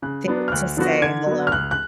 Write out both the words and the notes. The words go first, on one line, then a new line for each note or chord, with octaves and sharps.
think to say "hello".
C#3 F#6
F#3 B3 D4
F6
D2 F#6
D3 F3 B3 F#4
D3 G#6
F#3 B3
F6
C#2 F#6
F#6